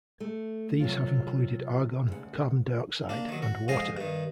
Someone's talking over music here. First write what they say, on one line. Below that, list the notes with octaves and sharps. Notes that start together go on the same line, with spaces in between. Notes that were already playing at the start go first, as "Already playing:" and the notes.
These have included argon, carbon dioxide, and water.
A3
C3 F#3 F4
D2 C#3 A4 F#5
A#3 D4
D#3 F#3
F#4
F2 G#2 G#4 D#5 F5
G2 D#3